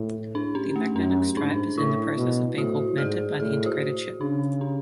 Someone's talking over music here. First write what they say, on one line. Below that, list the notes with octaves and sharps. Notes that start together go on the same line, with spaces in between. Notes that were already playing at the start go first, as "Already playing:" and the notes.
The magnetic stripe is in the process of being augmented by the integrated chip.
Already playing: A2
D4
C#4
A3
F#2 C#4
G#2 D4
A2 E4
B2
A2 F#4
G#2 G#4
A2 G#4
F#4
C#3 D4
C#4